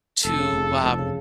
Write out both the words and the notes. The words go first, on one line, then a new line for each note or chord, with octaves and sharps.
to, uh,
F1 A4
C#3
F1
F2
F1 A4
C#3